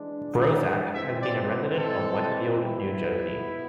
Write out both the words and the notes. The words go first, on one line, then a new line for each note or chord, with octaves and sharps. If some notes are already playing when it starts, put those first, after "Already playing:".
Brozak has been a resident of Westfield, New Jersey.
Already playing: E3 G#3 D4
E3 G#3 C4 E5
D5
A4
B2 B3 E4